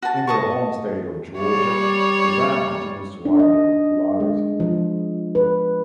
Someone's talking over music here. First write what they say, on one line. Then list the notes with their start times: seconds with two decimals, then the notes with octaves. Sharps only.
In their home state of Georgia, the band continues to ride their popularity.
0.02 F#4 A5
0.27 D#5 A5 C#6
1.38 G3 C#5
3.25 D4
3.39 D#5
4.20 G#3
4.60 F3
5.35 B4